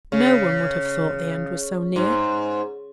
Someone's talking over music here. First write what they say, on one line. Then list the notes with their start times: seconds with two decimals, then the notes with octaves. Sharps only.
No-one would have thought the end was so near.
0.12 C#3
1.96 G#2